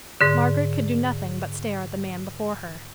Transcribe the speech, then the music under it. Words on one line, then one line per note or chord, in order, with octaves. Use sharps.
Margaret could do nothing but stare at the man before her.
G#2 D3